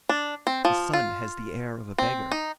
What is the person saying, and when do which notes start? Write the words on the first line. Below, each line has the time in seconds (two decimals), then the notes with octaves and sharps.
The sun has the air of a beggar.
0.09 D4
0.47 C4
0.65 F3
0.93 F4
1.98 C4
2.32 D#4